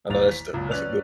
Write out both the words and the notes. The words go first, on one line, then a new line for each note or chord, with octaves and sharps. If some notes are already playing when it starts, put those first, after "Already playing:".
I know that's the that's a good no
D#1 A1 D#2 A6 F7
B6
C#2 F#2 A#2
F#2 C#4 B4 D5 F#6 F7